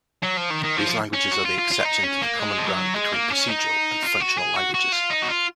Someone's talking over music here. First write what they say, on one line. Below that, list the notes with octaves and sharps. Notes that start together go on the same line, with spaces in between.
These languages are the exception to the common ground between procedural and functional languages.
F#3
F3
D#3
D#3
F3
C#4
F#4
F4
F4
F4
D#4
C#4
A#3
G#3
F3
F#3
G#3
A#3
C#4
D#4
F4
F#4
G#4
F#4
F#4
F4
D#4
F#4
F4